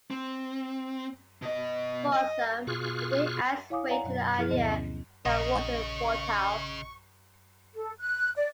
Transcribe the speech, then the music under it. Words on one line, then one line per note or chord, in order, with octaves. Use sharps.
For some, the day adds weight to the idea that war is futile.
C4
B2 D#5
D#5
B2 F4 G#4 C#6 F6 F#6
E4 C#5 F5 G#5 D6 D#6
C#5 D5 F5 F#5 G#5 A#5
F#2 B2 F#3
F#2 F3 E4 G#4 F6
D2 B2 D3 B3 D#5
C#4
A#1 C#3 D#5 C#6
A4
F#6
D5